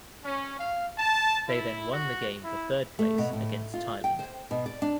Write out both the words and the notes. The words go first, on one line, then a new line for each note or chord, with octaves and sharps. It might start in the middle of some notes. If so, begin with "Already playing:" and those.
They then won the game for third place against Thailand.
C#4
F5
A5
E4
F#4
E4
A3
B2
A2
F4
G5
C5
B2
D5
D4